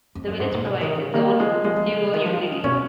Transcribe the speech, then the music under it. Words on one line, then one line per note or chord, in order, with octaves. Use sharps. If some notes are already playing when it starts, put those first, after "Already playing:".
The village provides its own sewer utility.
F2
F#2
G#2
A#2
B2
D#3
C#3
D#3 A#3
F3 G#3
F3 G#3
F3
C#3
B2
D#3
F3
D#3
C#3
B2 C#4